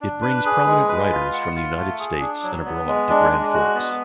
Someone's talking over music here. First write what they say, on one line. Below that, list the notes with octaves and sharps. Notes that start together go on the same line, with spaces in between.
It brings prominent writers from the United States and abroad to Grand Forks.
D4
B4
G#4
G#3
B4
F4
F#5
F4
A3
G#4
D4
F#3
B3
G#3
D4
G#3
F#4
B3